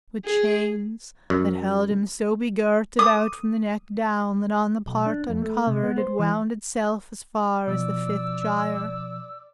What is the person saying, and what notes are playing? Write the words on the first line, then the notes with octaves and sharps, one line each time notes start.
With chains, that held him so begirt about From the neck down, that on the part uncovered It wound itself as far as the fifth gyre.
G#4
F#2
D#6
B1
D4
F2
A3
C3
B3
C5
E3
B2 F3 D5 E6